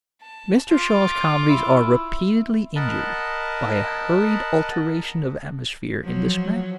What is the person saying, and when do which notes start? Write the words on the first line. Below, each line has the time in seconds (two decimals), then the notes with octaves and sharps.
Mr. Shaw's comedies are repeatedly injured by a hurried alteration of atmosphere in this manner.
0.22 A5
0.69 F4 D6
1.49 E4
2.76 A#4 D#5 F#5 A5 B5
6.01 F3 F#3